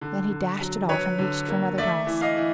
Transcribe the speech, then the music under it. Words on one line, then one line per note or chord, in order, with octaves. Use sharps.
Then he dashed it off, and reached for another glass.
D3
D3
F#3
F#3 B4 C#5
D3
A#3
A3 D5 E5
E3
D#5 F5
E3